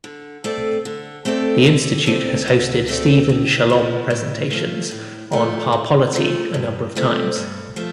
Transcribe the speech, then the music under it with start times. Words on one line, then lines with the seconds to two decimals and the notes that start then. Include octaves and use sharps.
The institute has hosted Stephen Shalom presentations on parpolity a number of times.
0.04 D3
0.44 A3 C4 A4 D5
0.85 D3
1.25 A3 C4 A4 D5
1.66 D3
2.06 A3 C4 A4 D5
2.48 D3
2.88 A3 C4 A4 D5
3.29 A2
3.70 F3 A3
4.10 A2
4.51 F3 A3
4.91 A2
5.32 F3 A3
5.73 A2
6.13 F3 A3
6.54 G2
6.95 F3 A3 C4
7.35 G2
7.76 F3 A3